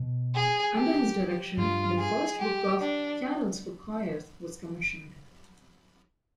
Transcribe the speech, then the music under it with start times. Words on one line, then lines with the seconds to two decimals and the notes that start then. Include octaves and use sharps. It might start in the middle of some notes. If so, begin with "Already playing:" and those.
Under his direction, the first book of "Carols for Choirs" was commissioned.
Already playing: B2
0.34 G#4
0.75 G4
1.57 G2 F4
1.99 G#4
2.40 G4
2.81 D4